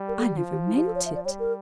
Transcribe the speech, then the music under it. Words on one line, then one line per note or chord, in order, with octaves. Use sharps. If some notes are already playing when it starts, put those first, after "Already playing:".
I never meant it!
Already playing: G3
A#4
A4
G4
F3 F4
G4
E4
G4
A4
C#5
E5
D5
G3 C#5
A#4